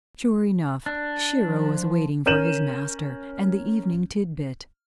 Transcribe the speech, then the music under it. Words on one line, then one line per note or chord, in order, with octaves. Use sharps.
Sure enough, Shiro was waiting for his master and the evening tit-bit.
D4
F3
C#4 A#4 G6 D#7 E7 F#7